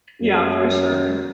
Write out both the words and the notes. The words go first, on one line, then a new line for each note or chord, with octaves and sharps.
Yeah, for sure.
F#2